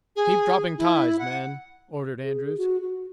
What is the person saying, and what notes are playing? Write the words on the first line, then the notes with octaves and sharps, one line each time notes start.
"Keep dropping ties, men," ordered Andrews.
G#4
E4
F#5
G#4
F#4
F#4